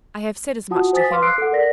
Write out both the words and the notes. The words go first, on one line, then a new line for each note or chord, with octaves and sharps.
I have said as much to him.'
F4 F#4 F#5 A5 D#6
C5 G#5 D#6 A6 B6
B4 F5 C6 D6 F6
E6 F#6 C7 D7
A4 F#5
A#4 D5 A#6 B6